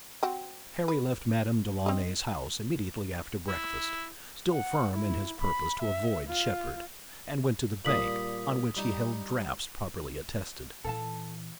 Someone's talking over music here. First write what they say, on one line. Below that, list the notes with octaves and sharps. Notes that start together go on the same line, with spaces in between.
Harry left Madame Delaunay's house immediately after breakfast, still firm in his purpose to avoid Shepard, and went to the bank, on which he held drafts properly attested.
C4 F#4
B4
C4 D#5
E4
F#5
E4
B5
E5
F4
A#2 G3 D#6 B6 F#7
G3 D#4
A#2 E3 A4 F5 A5